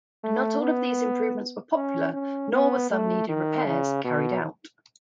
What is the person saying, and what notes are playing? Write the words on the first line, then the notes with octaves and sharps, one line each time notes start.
Not all of these improvements were popular, nor were some needed repairs carried out.
A3
B3
C#4
C#4
B3
A3
D#3
C#3
B2